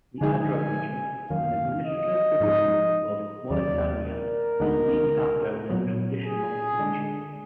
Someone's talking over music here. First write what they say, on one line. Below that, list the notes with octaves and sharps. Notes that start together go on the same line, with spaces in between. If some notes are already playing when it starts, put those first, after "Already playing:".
The Adrar Region, an administrative division of Mauritania, is named after the traditional region.
D3 F3 G#3 D#4 G#4 G#5
F#2 D#3 F#3 A#3 F5
D#5
G#2 F3 G#3 D#4
D#2 D#3 F#3 A#3 D5
A#4
D2 D3 G#3 B3 D#4
A#2 F#3 B3
G#4
D3 G#3 D4